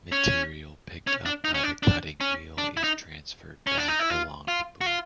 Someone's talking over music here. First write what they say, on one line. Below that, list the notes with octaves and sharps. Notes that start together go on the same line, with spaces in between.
Material picked up by the cutting wheel is transferred back along the boom.
C#4
C#4
D4
D#4
C#4
D4
D4
C#4
D4
E4
D#4
C#4
D4
D#4
E4
F4
F4
F#4
F4